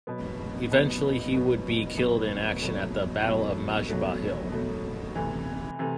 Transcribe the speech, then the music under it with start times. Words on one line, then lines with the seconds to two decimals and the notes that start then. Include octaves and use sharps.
Eventually he would be killed in action at the Battle of Majuba Hill.
0.07 B2 F#3 B3
0.71 B2 F#3 B3
1.34 B2 F#3 B3
1.97 B2 F#3 B3
2.61 B2 F#3 A3
3.25 B2 F#3 A3
3.88 B2 F#3 A3
4.52 B2 F#3 A3
5.15 C3 E3 A3
5.79 C3 E3 A3